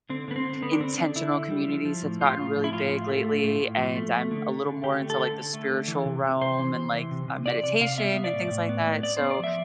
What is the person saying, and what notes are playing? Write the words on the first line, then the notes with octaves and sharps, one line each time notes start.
intentional communities have gotten really big lately, and I'm a little more into, like, the spiritual realm and, like, uh, meditation and things like that. So,
D3 C4
D3 B3
C4
D3
D3 B3
D4
D3 C4
D3 D4
D3 E4
D3
G3
F3
F3
A2
A2 F4
A2
F3
E4
A2 F4
A2
A3
A2
A2
A2
F3
A3
A3
D3
D3
D3
D3 G4
A3
A4
D3
D3
A3
D3
E3
C3
C3
C3 C5
E3
C3
E3
C3
C3
C3 D5
C3 D5
C3 F5
B3 E5
B3
D5
A2
A2
B3
A2
B3 D5
C5
B3
D5
F3 E5